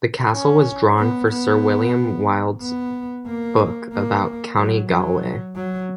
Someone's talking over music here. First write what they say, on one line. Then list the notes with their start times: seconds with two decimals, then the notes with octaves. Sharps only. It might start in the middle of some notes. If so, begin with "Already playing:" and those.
The castle was drawn for Sir William Wilde's book about County Galway.
0.32 C#4
0.98 B3
1.31 B3
2.61 B3
3.26 A#3
3.92 A#3
4.58 F#3
4.91 F#3
5.56 F#3